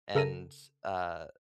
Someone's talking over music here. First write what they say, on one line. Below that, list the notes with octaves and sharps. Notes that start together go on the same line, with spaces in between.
and, uh-
C#3 A4 A#4 A#6 D#7